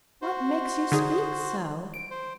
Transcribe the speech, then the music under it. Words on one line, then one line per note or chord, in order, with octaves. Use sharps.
What makes you speak so?
F#4 C5
D3 D#4 G#4
D7
C5